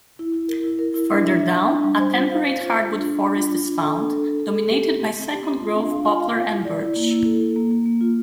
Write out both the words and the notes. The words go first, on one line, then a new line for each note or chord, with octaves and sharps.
Further down, a temperate hardwood forest is found, dominated by second-growth poplar and birch.
E4
E4
A#4
E4
A#4
E4
D4
E5
E5
D4
D4
G3
C5
F4
F5
C5
F4
F4
D4
D4
D4
F4
F4
D4
A4
D4
A4
A4
A4
A4
G4
G4
C4
C4
G4
C4
F4
D4
F5
F4
F5
F4
E4
D5
E4
A#3
E4
A4
A#3
A#3
A#3
A#3
F4